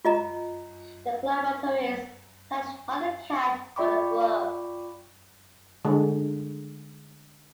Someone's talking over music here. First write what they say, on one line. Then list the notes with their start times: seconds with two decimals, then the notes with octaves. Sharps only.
The clan motto is "Touch not the cat but a glove".
0.05 F4 D#5 A#5
3.76 F4 D5 G5 B5 C#6 D6
5.85 D3 G#3